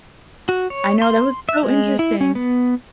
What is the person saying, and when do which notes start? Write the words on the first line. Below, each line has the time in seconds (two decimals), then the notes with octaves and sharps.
I know that was so interesting.
0.49 F#4
0.70 C#5
1.02 C6
1.49 E5
1.63 G#3
1.99 E4
2.21 C#4
2.35 B3